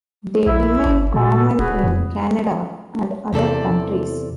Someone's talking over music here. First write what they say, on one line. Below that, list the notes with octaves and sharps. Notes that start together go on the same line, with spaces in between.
They remain common in Canada and other countries.
A#1 E4
G1
A#2 F#4 A4
D1 F#4 G#4 B4
F2
E2 C3 A4 D5